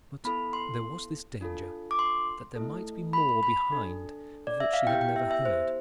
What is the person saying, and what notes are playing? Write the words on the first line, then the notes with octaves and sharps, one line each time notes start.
But there was this danger,--that there might be more behind of which she had never heard.
B3 E4 A4 B5
C6
D4 F4 A4
D6
C6
A3 E4 A4
B5
B5
B5
D4 A4
D5
E5
F5
B3 E4 G4 G5
G5
E5
E5
C5